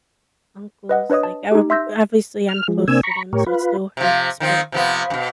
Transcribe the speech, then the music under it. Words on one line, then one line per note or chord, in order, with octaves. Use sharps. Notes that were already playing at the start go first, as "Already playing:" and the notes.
uncles, like, I wa obviously, I'm close to them, so it still hurts, but,
B4 D#5 F#5
D4 B4 C#5 D#5 D#6
A5
D#4 G4
E5 C6 E6 G6 A#6
F6
F3 G#3
C3 A#3 C4 D4 G#5 E6
A#5 B5 C#6
A2 G4 A#4 C#5
F4 B4
C3 F3
D#3 F3 C4
C3 F3 B3
F#2 B2